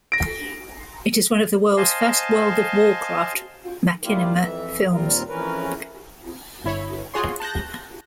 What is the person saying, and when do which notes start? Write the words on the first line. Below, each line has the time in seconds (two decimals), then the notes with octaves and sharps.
It is one of the world's first World of Warcraft machinima films.
0.12 A#6 D7
1.77 C5 D#5 F5 G#5 A5 C6
4.04 G3 A#3 E4 F4 G4
4.37 F2 E3 E5
4.92 D#2 A#2 G3 C4 F4 A#4
5.29 F2 E3 C#4 A#4 B4
6.64 G1 E4 C#5 B5
7.14 F4 F#4 G#4 C#5 C6
7.40 A5 F#6 G6 A#6